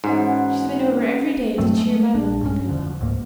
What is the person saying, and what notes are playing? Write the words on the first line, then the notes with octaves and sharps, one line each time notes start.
She's been over every day to cheer my lonely pillow.
G#2 B2 E3 C#4
G2 F#3 A3 C4
G#3 A3
A#1 D4
G2 C#4
F2 D3
C#2 G#2 A#3